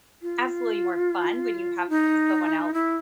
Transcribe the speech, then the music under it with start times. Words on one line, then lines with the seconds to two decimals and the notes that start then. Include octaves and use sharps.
absolutely more fun when you have someone else
0.22 F4
1.90 D#4
2.74 E4